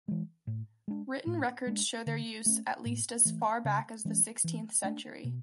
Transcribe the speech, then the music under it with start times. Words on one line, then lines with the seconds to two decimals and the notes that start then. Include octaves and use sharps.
Written records show their use at least as far back as the sixteenth century.
0.08 E3 G#3
0.47 A2
0.88 G#3 D4
1.27 A2
1.67 G#3 D4
2.06 D3
2.46 A3 C#4
2.86 A2
3.25 E3 A3
3.65 C#3
4.05 E3 G#3 C#4
4.44 E3
4.84 A3 D4
5.24 B2